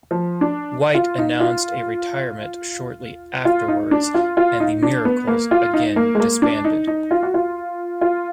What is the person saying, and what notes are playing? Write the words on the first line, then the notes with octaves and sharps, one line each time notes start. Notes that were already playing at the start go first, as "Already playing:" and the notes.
White announced a retirement shortly afterwards and the Miracles again disbanded.
F3
D4
F4
D#4
F4
F4
D#4
D4
F4
F4
D#4
D4
B3
A#3
F4
D#4
A#3
G#3
A#3
D4
D#4
D#4
F4
F#4
F4
F4